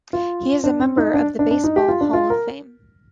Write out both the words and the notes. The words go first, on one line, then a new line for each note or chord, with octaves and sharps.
He is a member of the Baseball Hall of Fame.
F4
D4
C4
D#4
D4
D4
D4
D#4
G4
F4
D4
F4
A#4